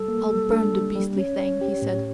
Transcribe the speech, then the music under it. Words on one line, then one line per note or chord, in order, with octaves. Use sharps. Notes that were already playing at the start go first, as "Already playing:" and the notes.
"I'll burn the beastly thing," he said.
Already playing: G3 A4
A#3
G3
D4
G3
G3
C#4 C#5
C#4
G4
A2